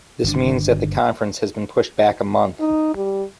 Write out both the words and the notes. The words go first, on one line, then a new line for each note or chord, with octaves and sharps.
This means that the conference has been pushed back a month.
G1 D#3 D4
D#4
G3